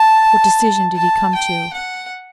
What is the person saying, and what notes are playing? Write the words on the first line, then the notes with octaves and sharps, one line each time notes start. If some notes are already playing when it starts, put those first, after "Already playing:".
What decision did he come to?
Already playing: A5
A5
G5
F#5